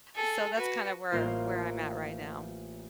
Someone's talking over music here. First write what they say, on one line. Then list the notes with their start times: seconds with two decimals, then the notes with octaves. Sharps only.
So, that's kinda where where I'm at right now.
0.15 G#4 A4
0.56 F#4 B4
1.11 A1 A#3 F4 C5